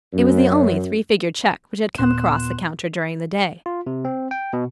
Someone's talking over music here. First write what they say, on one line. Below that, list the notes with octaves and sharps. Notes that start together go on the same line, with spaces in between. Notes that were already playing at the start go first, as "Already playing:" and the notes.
It was the only three-figure cheque which had come across the counter during the day.
F#2
D#2 A#2 B3 C6 F#6 E7
F4
C3
C4
G5
B2